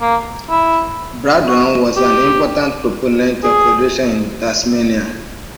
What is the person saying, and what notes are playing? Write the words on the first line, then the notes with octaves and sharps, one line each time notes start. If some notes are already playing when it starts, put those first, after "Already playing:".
Braddon was an important proponent of federation in Tasmania.
A#3
E4
F#4
G4
G#4